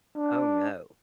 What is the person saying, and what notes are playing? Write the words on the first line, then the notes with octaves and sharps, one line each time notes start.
Oh, no.
D4